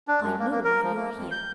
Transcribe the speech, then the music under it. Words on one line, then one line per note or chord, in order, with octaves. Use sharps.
'I know why you are here.
D4
F#2
A#3
A#3
A#4
F3
A#3
F2
G6